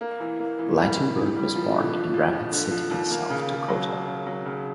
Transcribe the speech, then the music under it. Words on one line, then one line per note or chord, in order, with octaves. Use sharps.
Ligtenberg was born in Rapid City, South Dakota.
A#3
E3
A#3
E3
G3
E3
E3
G3
F3
D3
F3
F3
F3
D3
F3
D#2
A#3
C#3
C#3
F#3
C#3
C#3
F#3
C#3